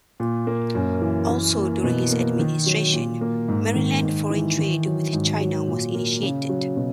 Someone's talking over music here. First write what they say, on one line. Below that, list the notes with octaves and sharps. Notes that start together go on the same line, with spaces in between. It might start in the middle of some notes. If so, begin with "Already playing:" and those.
Also during his administration, Maryland foreign trade with China was initiated.
A#2
A#3
F#2
E3
E3
A#3
B2
A#3
D#3
F#3
A#2
A#3
G#2
D#3
G#2
E3
D#3
F#3
G#2
F#3
A#2
A#3
C#3
F#3
B2